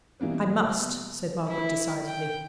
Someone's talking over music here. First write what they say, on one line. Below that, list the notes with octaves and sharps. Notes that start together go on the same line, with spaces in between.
'I must,' said Margaret, decidedly.
B2 E3 G3 A#3 B3
E4
G5